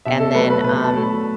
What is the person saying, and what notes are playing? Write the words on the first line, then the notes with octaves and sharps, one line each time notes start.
and then, um,
B2 E5
A4
F#3 A3 B4
B4
B2 B4
A5
F#3 A3
B5